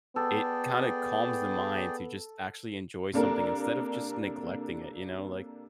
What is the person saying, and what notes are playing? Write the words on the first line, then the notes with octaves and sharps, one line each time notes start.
it kinda calms the mind to just actually enjoy something instead of just neglecting it, you know, like,
B3 G#4 A4 D5 G5
C3 A#3 D4 A4 A#4